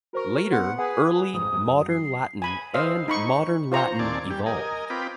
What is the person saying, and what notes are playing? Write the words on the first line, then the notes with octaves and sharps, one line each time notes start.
Later, Early Modern Latin and Modern Latin evolved.
F#4 A#4 C5 C#6
B3 F#5 C6
G#4 B4 F#5
F1 G#2 D#6
F#2
C7
G#5 B5
C5 D#5 F5 E6
D#4 B5 C#6
F4 C5 A#5 C#6
D#2 A#2 C4 D5 G#5 A5
G3 G4
A#4 D#5 G#5
C4 F4 B4 G5 B5 D6